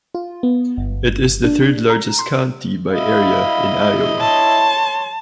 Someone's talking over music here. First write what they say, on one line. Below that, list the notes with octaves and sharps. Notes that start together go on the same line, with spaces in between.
It is the third-largest county by area in Iowa.
F4
B3
G1
D4
A#5
C6
E4 D#5 F5 B5
C#5 A5 C6